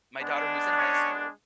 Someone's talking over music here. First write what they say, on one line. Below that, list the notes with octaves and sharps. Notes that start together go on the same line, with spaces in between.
my daughter who's in high school
G#3 B3 D4
C#4 C#5